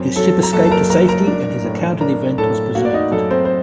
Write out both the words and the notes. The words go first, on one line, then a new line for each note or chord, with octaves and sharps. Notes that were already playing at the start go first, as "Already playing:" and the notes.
His ship escaped to safety and his account of the event was preserved.
Already playing: F#2 C4 C5
F#3 A4 A5
A#5
F#1 A4 A5
A5
A#4 A#5
F#1 A#4 A#5
A#4 A#5
D4
A2
D4 A#4 A#5
A2 A4 A5
A#3 F#4 F#5
D5
D#4 D#5
F#2 A4
C4 C5
C5